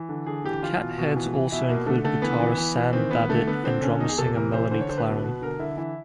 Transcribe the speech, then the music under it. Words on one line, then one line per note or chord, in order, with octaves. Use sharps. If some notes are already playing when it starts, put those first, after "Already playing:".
The Catheads also included guitarist Sam Babbitt and drummer-singer Melanie Clarin.
Already playing: E3
D3
D3 G#4
E3 G4
E3 F4
B2
B2
E3
E3
B2 E4
B2 A#3
D3 A3
D3 A3
E3 B3
E3
E3
E3
D#3 C4
D#3 B3
D3 A3
D3 B3
D3 C4
D3 C#4
E2 D#4
G#4
C3 A4
E3 A#4
E3 C5
D3 C5
C#5
D3 C5
B4
B2
B2
D3 A#4
D3 E4
E3 E4